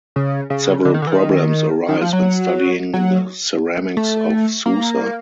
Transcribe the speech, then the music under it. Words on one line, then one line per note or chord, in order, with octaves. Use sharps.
Several problems arise when studying the ceramics of Susa.
C#3
C#3
D3
D#3
D3
E3
D#3
D#3
F3
F#3
F#3
A3
A#3